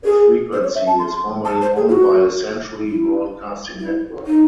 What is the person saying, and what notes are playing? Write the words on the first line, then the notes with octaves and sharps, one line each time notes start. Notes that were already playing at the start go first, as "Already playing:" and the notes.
The frequency is formerly owned by Century Broadcasting Network.
G#4
C5
C#5
E5
A5
C6
A5
C5
G#4
E4
F#4
E4
E4
D#4